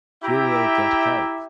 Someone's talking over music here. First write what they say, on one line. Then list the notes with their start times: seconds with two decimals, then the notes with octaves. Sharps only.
You will get help.
0.23 E4 G4 E5 G5 A#5